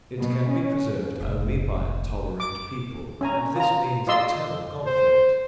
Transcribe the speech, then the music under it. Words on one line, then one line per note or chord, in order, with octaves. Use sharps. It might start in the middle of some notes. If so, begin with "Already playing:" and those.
It can be preserved only by a tolerant people, and this means eternal conflict.
B2
C#4
F1 A#1
D6
C#4 G#5 A#5
F4 A#5
F4 D5 D#5 C6 E6
C5